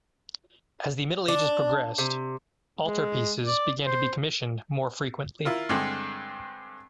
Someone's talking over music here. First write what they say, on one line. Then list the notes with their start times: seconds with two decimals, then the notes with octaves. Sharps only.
As the Middle Ages progressed, altarpieces began to be commissioned more frequently.
1.28 D4
1.98 C3
2.85 G#3
3.45 D5
3.84 C5
5.45 E4 F4 A#4
5.69 G2 D3 G#3 C4